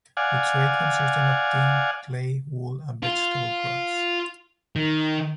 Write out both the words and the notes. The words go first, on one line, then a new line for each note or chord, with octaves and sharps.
The trade consisted of tin, clay, wool, and vegetable crops.
D5 F5 F#5 G#5
F4
D#3